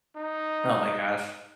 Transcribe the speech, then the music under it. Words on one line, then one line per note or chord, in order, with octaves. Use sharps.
Oh my gosh.
D#4